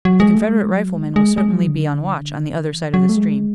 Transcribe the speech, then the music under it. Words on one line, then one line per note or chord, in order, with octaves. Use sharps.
"The Confederate riflemen will certainly be on watch on the other side of the stream."
F#3
G#3
A3
G#3
F#3
G#3
G#3
G#3
F#3
D3
E3
F#3
A3
G#3